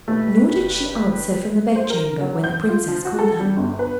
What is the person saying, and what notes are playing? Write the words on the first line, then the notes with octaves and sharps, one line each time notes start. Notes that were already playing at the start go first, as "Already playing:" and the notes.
Nor did she answer from the bedchamber when the princess called her.
G2 B2 A3 B4
F#1
C5
A#4
F#3
G6
F4
F3
F#4
A4
G3
G1
B4